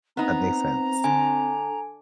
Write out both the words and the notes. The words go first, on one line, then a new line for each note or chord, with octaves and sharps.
That makes sense.
B3 C4 D#4 A#5
D3 G#5